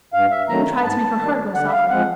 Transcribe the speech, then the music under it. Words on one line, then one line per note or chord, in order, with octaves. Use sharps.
She even tried to make her heart go softly.
G2 F5
E5
D#3 F#3 A3 A#5
G#2 A5
D#3 G3
D3 F#5
E5
F5
F3 G#3 C4 F#5